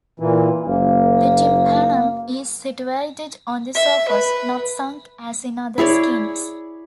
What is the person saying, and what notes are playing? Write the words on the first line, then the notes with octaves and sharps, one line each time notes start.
The tympanum is situated on the surface, not sunk as in other skinks.
A#2 E3
F#1 A#3
E5
B4
E4 G#4 C#5 D5